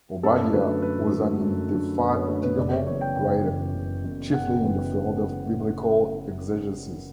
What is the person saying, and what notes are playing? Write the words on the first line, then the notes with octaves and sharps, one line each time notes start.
Obadiah was an indefatigable writer, chiefly in the field of Biblical exegesis.
F#2 A4
D3 F#3 A3 B4
F#2 B4
D3 F#3 A3
F#2
D3 F#3 A3
F#2 B4
C#5
D3 F#3 A3 B4
B4
F#1 D5
C#5
F#2 E3 B3 C#5
G5
F#1 G5
F#2 E3 B3
F#1
F#2 E3 B3
F#1 F#5
F#2 E3 B3